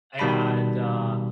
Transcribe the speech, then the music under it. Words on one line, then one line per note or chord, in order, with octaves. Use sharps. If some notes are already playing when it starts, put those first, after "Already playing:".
and, uh,
B2 D#3 G3 A5 B5